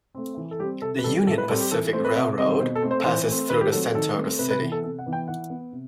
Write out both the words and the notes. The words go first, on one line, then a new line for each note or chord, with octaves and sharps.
The Union Pacific Railroad passes through the center of the city.
A3 C4
E3
A4
G3 C4 G4
C3 A4
B4
D#3 G3 C4 A4
A2 A4
B4
G3 C4 A4
G4
E3 A4
A3 C4 C5
B4
C3 E5
D#3 G3 C4 D#5
B2 C5
A4
A3 C4
C5
E3 C5
A3 C4
D#3 B4
G4
F#3 A3 C4 A4
D#3 A4
A3 C4
C3 B4
B4
E3 B3
A4
C3 A4
F#5
E3 B3
G5
E3 F#5
B3
C3